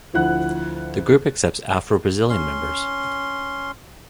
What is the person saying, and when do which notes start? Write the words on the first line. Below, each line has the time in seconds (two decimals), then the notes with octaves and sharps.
The group accepts Afro-Brazilian members.
0.14 D2 F3 E4 F#5 F#6
2.30 C#4 C6